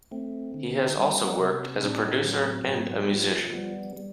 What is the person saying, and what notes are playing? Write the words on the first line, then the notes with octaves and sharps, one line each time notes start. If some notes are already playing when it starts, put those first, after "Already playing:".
He has also worked as a producer and a musician.
A3 C4
D3
G3 B3 C#4
C3
A2 C4 D4
C#4 D#4
F#3 B3 C#4
C4
G#2 C4
B3
F3 B3
G3 B3
G3